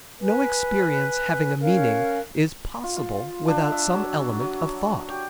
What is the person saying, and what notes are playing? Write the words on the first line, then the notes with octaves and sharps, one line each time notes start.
No experience having a meaning is possible without some element of thought.
B4 G#5
C#4 A#4 F5 F#6
F4
F4
D4
E5
F#3
F#3
G4